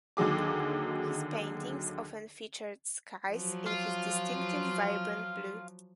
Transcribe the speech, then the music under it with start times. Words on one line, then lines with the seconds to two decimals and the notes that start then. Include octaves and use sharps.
His paintings often featured skies in his distinctive vibrant blue.
0.17 D#2 D3 F#3 G#4 D6
3.31 F3 F#3
3.66 F4